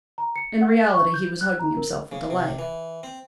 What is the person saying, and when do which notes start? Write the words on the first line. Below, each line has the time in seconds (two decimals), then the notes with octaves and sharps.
In reality he was hugging himself with delight.
0.18 A#5
0.36 C#7
0.61 F#5
0.94 C#6
1.14 G6
1.41 F#6
1.59 A#5
1.77 A#4
2.12 C#3
2.30 C3
2.59 E3
3.03 C4